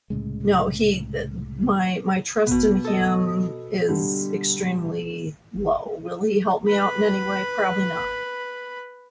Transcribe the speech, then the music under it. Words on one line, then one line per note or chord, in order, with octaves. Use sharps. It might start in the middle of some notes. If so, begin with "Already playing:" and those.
no, he, eh, my my trust in him is extremely low. Will he help me out in any way? Probably not,
C2 A2 C#3 G#3
B2 B3
A4 D#5
D3 G3
B4 B5